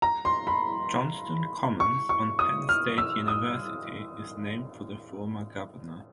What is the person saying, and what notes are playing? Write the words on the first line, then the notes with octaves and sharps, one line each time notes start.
Johnston Commons on Penn State University is named for the former governor.
A#5
C6
B5
C#6
C#6
D#6
F6
E6
D#6